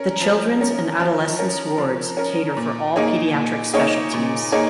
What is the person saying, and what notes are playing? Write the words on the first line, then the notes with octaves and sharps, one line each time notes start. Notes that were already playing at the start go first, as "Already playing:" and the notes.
The Children's and adolescents' wards cater for all paediatric specialities.
Already playing: C#4 A#4
F3
C#4 A#4
F3
C#4 A#4
F3
C#4 A#4
A#2
A#3 D#4 G#4 C#5
A#2
A#3 D#4 G#4 C#5
A#2
A#3 D#4 G#4 C#5